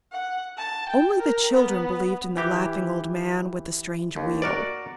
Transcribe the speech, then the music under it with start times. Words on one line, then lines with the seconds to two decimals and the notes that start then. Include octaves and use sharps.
Only the children believed in the laughing old man with the strange wheel.
0.12 F#5
0.57 A5
0.89 G5
1.18 A#4
1.52 B3
2.37 E3 G4
4.16 D#2
4.42 F#4 A#4 D5